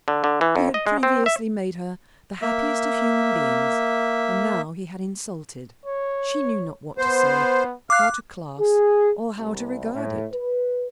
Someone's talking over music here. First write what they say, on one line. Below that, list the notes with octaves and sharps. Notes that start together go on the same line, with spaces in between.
He had previously made her the happiest of human beings, and now he had insulted--she knew not what to say, how to class, or how to regard it.
D3
D3
E3
F2
D#5
G#3
C4
E5
A#3 E5
C#5
B3 C5
F5 D6 F#6
G#4
C2
A2
B4